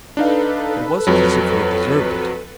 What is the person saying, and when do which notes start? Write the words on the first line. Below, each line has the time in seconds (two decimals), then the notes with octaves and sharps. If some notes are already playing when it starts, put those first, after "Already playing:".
It wasn't as if he had deserved it.
0.17 D4 D#4 A4 B4 F5
1.07 F2 F#3